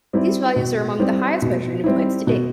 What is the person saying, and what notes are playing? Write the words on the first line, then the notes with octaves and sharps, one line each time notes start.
These values are among the highest measured in plants to date.
G3 C4 E4
B2
G3 C4 E4
B2
G3 C4 E4
B2